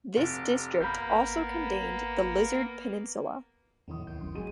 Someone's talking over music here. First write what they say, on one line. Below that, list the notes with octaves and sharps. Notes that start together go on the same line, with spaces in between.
The district also contained the Lizard Peninsula.
F1 G4
G#1 A#3 B3 B5 G6
B1 E2 A2 D#3 E3 D#6
D2 D#3 G6 C7
G#1 F#2 C6
F#3 G#3 G#4 D#7